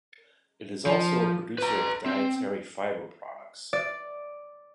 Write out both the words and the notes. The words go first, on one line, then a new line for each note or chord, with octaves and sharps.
It is also a producer of dietary fibre products.
F3
B4 A#5
C4
D5